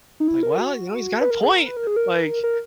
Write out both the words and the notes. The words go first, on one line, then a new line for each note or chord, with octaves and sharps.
like, "well, you know, he's got a point, like"
D#4
E4
A#4
F#4
B4
A#4
G#4
A#4
B4
A#4
G#4
A#4
A#4